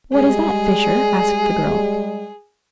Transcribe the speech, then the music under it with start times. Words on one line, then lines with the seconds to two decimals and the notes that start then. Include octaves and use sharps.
"What is that, Fisher!" asked the girl.
0.13 G3 G#3 G#4